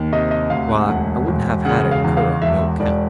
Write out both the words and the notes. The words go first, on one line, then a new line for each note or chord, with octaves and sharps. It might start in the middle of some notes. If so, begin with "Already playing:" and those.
Why, I wouldn't have had it occur on no account.'
Already playing: D#2
C3 D#5
D#5
D2 F5
F#5
E1 F#5
E1
C#3 F#5
F5
E2
F5
E1 E5
E1 D5